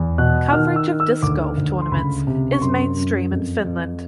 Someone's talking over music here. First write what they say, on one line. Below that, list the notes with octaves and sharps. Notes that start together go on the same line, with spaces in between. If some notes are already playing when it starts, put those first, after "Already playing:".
Coverage of disc golf tournaments is mainstream in Finland.
Already playing: E2
B2 F#6
D#3 F6
E6
D#3
E6
D2 D6
D2
C6
C#2 B5
C3
C#6
F#2 C6
F#2
F2
F2